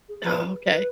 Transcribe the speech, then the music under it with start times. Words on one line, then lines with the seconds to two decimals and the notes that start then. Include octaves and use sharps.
Oh, okay.
0.08 G#4
0.24 B4
0.72 B4